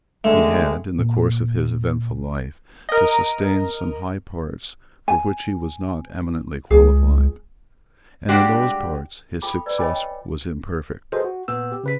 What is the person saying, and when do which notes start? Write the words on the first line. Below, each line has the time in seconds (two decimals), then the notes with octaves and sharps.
He had, in the course of his eventful life, to sustain some high parts for which he was not eminently qualified; and, in those parts, his success was imperfect.
0.24 D3 D#3 G#3 A3
0.99 A#2
2.89 A#4 D#5
5.08 G#5
6.71 C#2 G#4
8.29 G3 G#3 D4 F#4 G4
9.42 F4 A4 G5 B5 D6
9.66 B4 D5
9.78 C#5 D#5 G5 G#5 B5 D6
9.95 G5
11.12 F#4 G#4 A4 B4 C5 D#5
11.25 F#4
11.48 A#2 B3 E6
11.72 G4
11.84 C#3 B4 B6